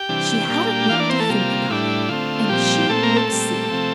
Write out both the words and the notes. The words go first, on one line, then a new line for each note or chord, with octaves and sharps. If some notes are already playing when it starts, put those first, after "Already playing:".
She had a week to think about it, and she would see!
Already playing: G4 G5
C3 E3 G3 D4
A#2 G3 A#3 D4
E3 A#3 D4 F4 F5
D4 D5
C4 C5
A3 A4
C3 G3 A#3 F4
A2 G3 D4 E4
D3 A3 C4 F4
A#2 F3 G3 C4 G4
A#2 A3 C4 A4
A#3 A#4
A3 A4
A#2 G3 C4
C3 F3 C4